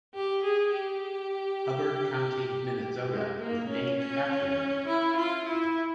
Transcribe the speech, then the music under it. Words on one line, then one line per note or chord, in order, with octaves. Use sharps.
Hubbard County, Minnesota is named after him.
G4
G#4
G4
G#3
A#3
C#4
C#4
E4
F4
E4